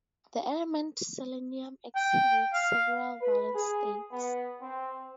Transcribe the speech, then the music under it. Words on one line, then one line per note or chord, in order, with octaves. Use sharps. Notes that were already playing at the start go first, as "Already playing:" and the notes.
The element selenium exhibits several valence states.
G5
F5
B4
G#4
B3
C4